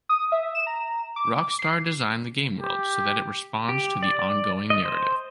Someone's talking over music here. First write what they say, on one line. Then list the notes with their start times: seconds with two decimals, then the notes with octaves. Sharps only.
Rockstar designed the game world so that it responds to the ongoing narrative.
0.09 D#6
0.32 E5
0.55 E7
0.67 A#5
1.16 D6
1.59 C7
2.61 G4
3.69 G4
4.03 D5
4.70 D#5
4.85 C5